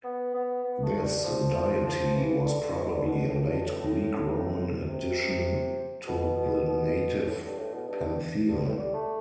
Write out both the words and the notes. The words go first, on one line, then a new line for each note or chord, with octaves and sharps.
This deity was probably a late Greek-Roman addition to the native pantheon.
B3
B3
B3
A3
G3
F3
F3
F3
E3
D3
D3
E3
D3
B2
A2
G2
A2
C3
B2
B2
B2
A2
G2
A2
B2
G2
G2
A2
G3
A3